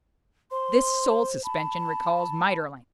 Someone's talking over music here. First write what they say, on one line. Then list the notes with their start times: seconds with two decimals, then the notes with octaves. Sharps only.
This soul-suspension recalls Maeterlinck.
0.51 C5 C6
1.44 A5 B5